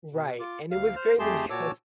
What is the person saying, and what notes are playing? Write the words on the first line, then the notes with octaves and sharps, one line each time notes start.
right, and it was crazy because
B2
F4 D6
D2 F5
C5 F6
F2 A3 G4 G#4 A5 C6
A#2 F#4 C#5 A5 D6 E6